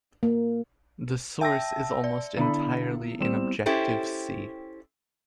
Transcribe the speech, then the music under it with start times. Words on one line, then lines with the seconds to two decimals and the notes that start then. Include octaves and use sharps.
The source is almost entirely in Objective-C.
0.23 A#3
1.41 E5 G5 A5 E6 A#6
2.04 D5
2.37 D3 B3 E4 B5
3.20 G3 C4 E7
3.66 C#4 E4 G4 A4 C5